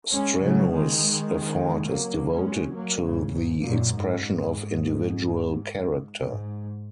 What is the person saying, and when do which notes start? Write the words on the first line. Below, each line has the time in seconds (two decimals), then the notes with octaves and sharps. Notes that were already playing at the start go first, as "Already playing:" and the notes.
Strenuous effort is devoted to the expression of individual character.
0.14 G#3 C#4
0.43 C#3 F#3
0.71 D#3 G#3
1.88 F#3 A#3
2.32 G#3 C#4
2.75 F#3 A#3
3.04 G#2 C#3
3.34 G#2
3.62 F#2 A#2
3.92 G#2
4.20 G#2
6.25 G#2